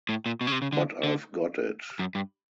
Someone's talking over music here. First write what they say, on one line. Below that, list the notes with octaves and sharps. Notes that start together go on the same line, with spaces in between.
But I've got it!
A2
A#2
B2
C#3
C3
C#3
D3
D3
F#2
G2